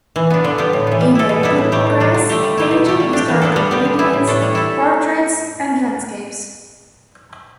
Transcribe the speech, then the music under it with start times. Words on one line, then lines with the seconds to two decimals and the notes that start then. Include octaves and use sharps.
He made good progress, painting historical paintings, portraits and landscapes.
0.16 E3
0.30 B3 D4
0.44 D3
0.58 G3 B3 G4
0.73 A2
0.87 E3 B3
1.01 G3
1.15 E4 A4
1.29 B2
1.43 G3 B3 E4
1.58 A2
1.72 A3 G4
1.87 A2
2.00 G3 D4
2.14 D3
2.29 A3 G4
2.43 G3
2.58 E4 G4
2.71 B2
2.86 A3 G4
3.00 G3
3.13 D4 G4
3.28 E3
3.42 B3 D4 A4
3.56 G3
3.71 B3 G4
3.85 D3
3.99 B3 E4
4.13 A2
4.27 A3 D4 A4
4.42 G3
4.55 E4 A4